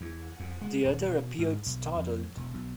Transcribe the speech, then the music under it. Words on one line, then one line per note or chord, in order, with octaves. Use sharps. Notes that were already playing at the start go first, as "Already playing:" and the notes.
The other appeared startled.
E2
F2
G#3
D#1
B2
G#2
B1
F2
E1
B1